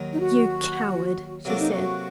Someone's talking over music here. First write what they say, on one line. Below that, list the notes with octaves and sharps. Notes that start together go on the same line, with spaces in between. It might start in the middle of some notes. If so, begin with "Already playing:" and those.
"You coward!" she said.
Already playing: D#2 D#3 F#3
D#4
F#4
C3 F#3 A#3 D4 F#4 A4
D#4
F#4